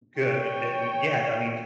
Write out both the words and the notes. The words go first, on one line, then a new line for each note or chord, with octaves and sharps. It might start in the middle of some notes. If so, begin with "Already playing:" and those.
good, and, yeah, that means
C#5 G5